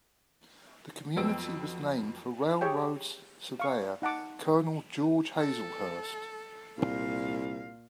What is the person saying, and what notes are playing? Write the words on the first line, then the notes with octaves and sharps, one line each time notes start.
The community was named for railroad surveyor Colonel George Hazlehurst.
F2 F#3 B3 G5 E6 D7
G4 G#4 C#5 G5
F5 C#6
D#4 F#5 A5 D6
A4
C2 A#2 F5